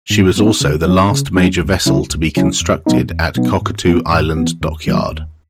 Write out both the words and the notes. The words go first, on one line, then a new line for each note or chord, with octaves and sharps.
She was also the last major vessel to be constructed at Cockatoo Island Dockyard.
G#2
F#3 B3 D#4
C#3
F#3 C#4
C#3
F#3 C#4
C#2
C#3 F#3 C#4 E4
C#2
C#3 F#3 C#4 E4
E2
B2 F#3 B3 D#4
E2
B2 F#3 B3 D#4
G#2
E3 B3
G#2
E3 B3
D#2
D#3 F#3 A#3
D#2